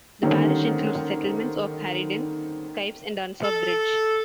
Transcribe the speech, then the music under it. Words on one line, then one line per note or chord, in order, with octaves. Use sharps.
The parish includes the settlements of Hareden, Sykes, and Dunsop Bridge.
D3 D#3 G3 A#3 C4 C#4
A4